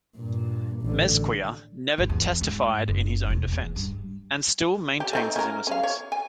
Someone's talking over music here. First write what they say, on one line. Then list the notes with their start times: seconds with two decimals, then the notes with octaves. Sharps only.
Mezquia never testified in his own defense, and still maintains his innocence.
0.17 G2 A#2
0.83 A1 D3
1.98 G#1
2.09 E2
2.41 G#2
2.89 F#1
3.30 E1
3.52 E2
3.76 G2
5.00 G4
5.13 A3 C4 D#4
5.36 C#4 A#4
5.67 C#4 F5
5.83 C#5
6.12 G#5